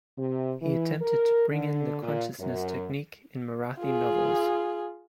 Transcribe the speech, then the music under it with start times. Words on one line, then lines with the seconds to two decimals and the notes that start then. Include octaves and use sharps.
He attempted to bring in the consciousness technique in Marathi novels.
0.17 C3
0.62 E3
1.02 A#4
1.49 D3
2.03 A#2
2.39 F#2
3.80 F4 G#4